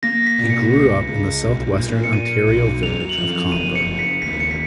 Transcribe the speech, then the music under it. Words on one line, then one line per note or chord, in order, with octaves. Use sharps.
He grew up in the southwestern Ontario village of Comber.
A#3 A#6
B6
B2
C#7
C#2
C#2
B1
A#2
C#7
A#2 D#7
B1
F#2 F7
F7
F#7
F3 F7
F7
F#1 D#7
C#7
F#1
B6
D#2 B6
C#7
B6